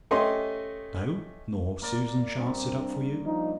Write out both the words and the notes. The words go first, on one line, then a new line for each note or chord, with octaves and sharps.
No: nor Susan shan't sit up for you.
A3 C#4 G4 D#5 C6
A#3 A#4 D5
G2 C4
F3 D#4